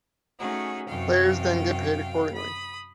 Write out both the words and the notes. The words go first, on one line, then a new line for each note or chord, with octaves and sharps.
Players then get paid accordingly.
A3 C#4 D#4 F#4 G#4
F#2 C3 F5 G5
B5 D#6